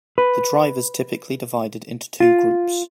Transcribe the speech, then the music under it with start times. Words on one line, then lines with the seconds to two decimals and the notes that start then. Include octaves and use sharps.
The drivers typically divided into two groups.
0.18 B4
2.20 F4